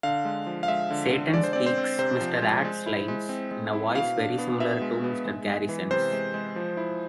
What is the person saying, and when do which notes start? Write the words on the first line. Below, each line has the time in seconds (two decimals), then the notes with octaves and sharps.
Satan speaks Mr. Hat's lines in a voice very similar to Mr. Garrison's.
0.03 D3 F5
0.25 G#3
0.47 F3
0.63 F5
0.68 G#3 E5
0.91 D3
1.12 D3
1.34 G#3 D5
1.44 C5
1.53 C4 D5
1.66 C5
1.78 C4
1.99 C3 C5
2.21 F3
2.42 G#3
2.65 G#3
2.86 E4
3.08 G#3
3.29 C4
3.51 G#3
3.73 E4
3.94 B2 F5
4.16 D4
4.38 B3
4.60 B2 E5
4.82 G#3
5.04 B3
5.25 G#3
5.47 G#3
5.69 E3
5.91 C3 C5
6.12 G#3
6.34 G#3
6.56 F3
6.77 E4